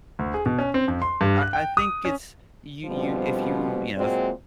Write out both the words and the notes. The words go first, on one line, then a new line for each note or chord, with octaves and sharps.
I I think it's you you if you you know, f
D2
G#4
B2
C#4
C4
F2
C6
G2
F#6
G5
D#6
C#4
B2 D3 F3 G3 C4
A#2 F#3 G#3 C4 F#4